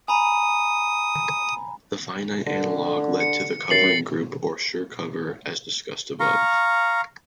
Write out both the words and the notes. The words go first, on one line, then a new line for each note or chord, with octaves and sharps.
The finite analog led to the covering group or Schur cover, as discussed above.
G#5 A#5 B5 D#6
D3
C#7
F#2 A6 C7 F#7
F5 A#5 C#6